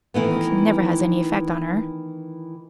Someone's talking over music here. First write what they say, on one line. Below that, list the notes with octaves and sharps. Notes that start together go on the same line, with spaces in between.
"Coaxing never has any effect on her."
D#3 E3 A3 B3